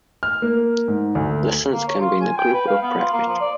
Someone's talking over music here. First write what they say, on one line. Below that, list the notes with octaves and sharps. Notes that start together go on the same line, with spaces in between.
Lessons can be in a group or private.
F6
A#3
G#2
D2
A#3
C#5
F4
G#5
G5
B4
F5
B3
F4
A#3
F3
D5